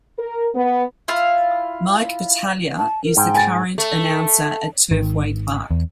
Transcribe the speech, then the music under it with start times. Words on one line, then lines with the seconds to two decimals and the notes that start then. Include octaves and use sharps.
Mike Battaglia is the current announcer at Turfway Park.
0.18 A#4
0.55 B3
1.08 E4 F4 F5
2.78 A5
3.04 A#4
3.17 G#2 G5
3.34 G#5 A6
3.78 A3
4.91 G#1 D#3
5.71 E2